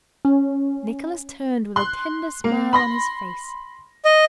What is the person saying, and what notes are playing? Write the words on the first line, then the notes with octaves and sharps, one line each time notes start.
Nicholas turned with a tender smile on his face.
C#4
C6 F#6
A#3
B5 C6 A#6
D#5